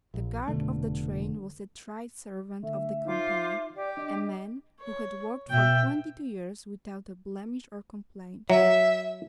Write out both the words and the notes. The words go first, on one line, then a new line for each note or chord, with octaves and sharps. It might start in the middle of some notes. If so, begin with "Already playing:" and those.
The guard of the train was a tried servant of the company--a man who had worked for twenty-two years without a blemish or complaint.
A#1
F1 B2 D3 A3
D3 A3 E5
D#4 F4 C5 F5 D6
G4 D5
D4 D#5
C#5
B2 E5 G5
F#3 E5